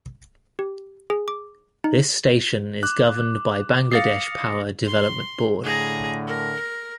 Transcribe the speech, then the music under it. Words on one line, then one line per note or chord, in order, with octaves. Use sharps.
This station is governed by Bangladesh Power Development Board.
G4
G#4
D6
D#4
D6 F#6
F5 D#6 A6 A#6 C7 C#7
C6
A2 D3 G#4 A#5
A#4